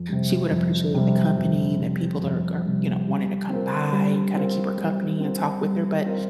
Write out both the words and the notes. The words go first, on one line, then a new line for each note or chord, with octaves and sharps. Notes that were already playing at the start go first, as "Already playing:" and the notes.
She would appreciate the company that people are are, you know, wanting to come by and kinda keep her company and talk with her, but
Already playing: F2
C3 G3
F2
C3 G3
F2
C3 G3
F2
C3 G3
G3
C4 F4 A#4
G3
C4 F4 A#4
G3
C4 F4 A#4
G3
C4 F4 A#4